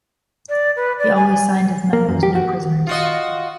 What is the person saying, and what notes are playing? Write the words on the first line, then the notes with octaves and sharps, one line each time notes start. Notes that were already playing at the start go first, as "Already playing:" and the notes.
He always signed his memos "no prisoners".
D5
B4
D5
G#5
A#3
F#2
G4
F#4
F4 F#4 D#5